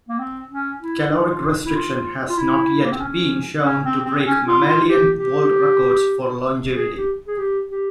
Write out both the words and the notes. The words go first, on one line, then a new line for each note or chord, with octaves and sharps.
Caloric restriction has not yet been shown to break mammalian world records for longevity.
A#3
C4
C#4
E4
F4
E4
F4
F4
E4
A#3
C4
C#4
C#4
C4
C4
C#4
F4
E4
F4
G4
G4
G#4
G4
G#4
G4
G4